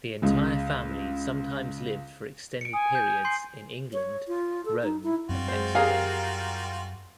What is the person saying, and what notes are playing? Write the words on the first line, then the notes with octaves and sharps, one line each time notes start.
The entire family sometimes lived for extended periods in England, Rome and Mexico.
C#2 G#3
C#7 D7
G#5 D#6
G6
C6 G6 C7
C#5
F4
A4
D#4
E4
F#2 G3 C4 F4 F#4
G#3 C5
G4 G#4 A#4 F5 A#5